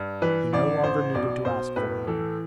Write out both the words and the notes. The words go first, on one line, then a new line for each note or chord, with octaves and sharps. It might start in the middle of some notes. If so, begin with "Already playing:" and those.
He no longer needed to ask for them.
Already playing: G2
E3 B4
A1 D5
A1 C5
B1 D5
B1 C5
A2 B4
E3 A4